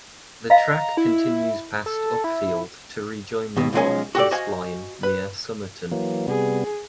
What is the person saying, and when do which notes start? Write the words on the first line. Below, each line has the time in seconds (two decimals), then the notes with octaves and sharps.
The track continues past Upfield to rejoin the North East line near Somerton.
0.50 D#5 F5 A#5
0.97 E4
1.86 A4
2.24 E4
3.57 D#2 B2
3.73 B1 B2 F3 G#3 C#4 G#5
4.15 F#4 G4 A4 D5
4.31 F#4 C5 D#5 F5 G#5
5.03 B4
5.91 E3 F#3 A#3
6.28 C3 G3 B3 G#4